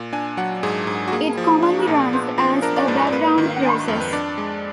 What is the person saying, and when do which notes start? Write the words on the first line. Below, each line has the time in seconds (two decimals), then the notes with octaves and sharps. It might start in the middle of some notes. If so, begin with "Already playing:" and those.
It commonly runs as a background process.
Already playing: A#2
0.13 D4 G#5
0.37 F#3 F#5
0.63 G#2 G#4
0.87 G#2
1.08 F#4
1.12 A#3 G#4
1.37 F3
1.62 D4
1.87 A#2
2.13 B3
2.38 F3
2.62 D4 A#4
2.76 D5
2.87 G#2 B4
3.07 D5
3.13 A#3 B4
3.38 D#3
3.63 D4
3.88 F2
4.00 B4
4.13 D4 D5
4.38 G#3